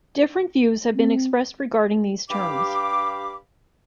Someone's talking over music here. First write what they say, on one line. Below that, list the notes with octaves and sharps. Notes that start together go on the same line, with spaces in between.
Different views have been expressed regarding these terms.
C4
G2 G4 F5 B5 D6